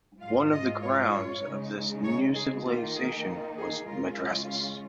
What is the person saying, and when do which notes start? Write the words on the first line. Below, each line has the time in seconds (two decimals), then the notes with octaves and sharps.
One of the grounds of this new civilization was madrasas.
0.21 G#2 G#3 F4 F5
0.51 D#5
0.82 C#5
1.12 C#5
1.43 C#3 G#3 D#4
2.04 C#5
2.34 G#4
2.65 D#3 A#3 D#4 F4
2.95 G#4
3.26 F4
3.57 G#4
3.86 C#3 G#3 C#4 F4 A#4
4.17 D#5
4.48 F5